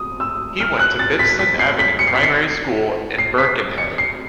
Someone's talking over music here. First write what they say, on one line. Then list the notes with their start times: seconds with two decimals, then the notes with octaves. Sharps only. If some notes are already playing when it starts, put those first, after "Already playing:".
He went to Bidston Avenue Primary School in Birkenhead.
Already playing: D#6
0.20 E6
0.60 F6
0.79 F#6
0.99 A6
1.19 B6
1.39 B6
1.59 C7
1.79 B6
1.99 C#7
2.07 C7
2.15 B6
2.23 C7
3.18 C7
3.38 B6
3.78 C#7
3.98 C7